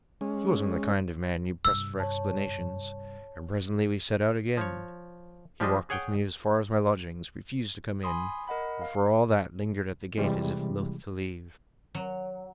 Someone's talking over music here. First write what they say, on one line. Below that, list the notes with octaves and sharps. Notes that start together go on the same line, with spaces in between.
He wasn't the kind of man you'd press for explanations, and presently we set out again. He walked with me as far as my lodgings, refused to come in, but for all that lingered at the gate as if loath to leave.
G#3 C#4
G2 C3 E6
C#5 A5
F3 C#5
F3 G3 G#3 D4 D#5
G#4 C#5 F#5 G5
G#5 B5 C6 D#6
A#4 D#5 F#5 B5
F5
C3 E3 G3 G#3
F#3